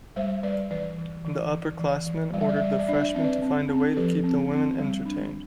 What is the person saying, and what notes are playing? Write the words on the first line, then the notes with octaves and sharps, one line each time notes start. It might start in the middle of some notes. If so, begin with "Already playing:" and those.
The upperclassmen ordered the freshmen to find a way to keep the women entertained.
G3 C5 E5
G3 B4 D5
E3 B4 D5
E3
E3
E3
E3
E3
G3 D5
E5
D5
E5
G3 D5
E5
D5
D4 E5
D5
E5
D5
C4 E5
B4 D5
C4
C4
A4
F3 G4 B4
C4
C4
G3
D4